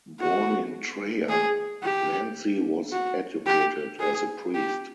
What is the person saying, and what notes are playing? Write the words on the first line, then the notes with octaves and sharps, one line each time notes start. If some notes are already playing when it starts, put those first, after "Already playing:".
Born in Treia, Lanzi was educated as a priest.
F#4
G#4
G4
F#4
G4
G#4
G4